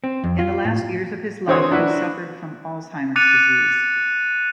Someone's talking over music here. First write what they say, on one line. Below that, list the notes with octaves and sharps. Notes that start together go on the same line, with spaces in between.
In the last years of his life he suffered from Alzheimer's disease.
C4
F2
F4
A2
D3 E3 C4 F#4 C#5 D#6
F#3 D4 E4 F#4 B4
D6 F#6 A6 C#7 D#7 F7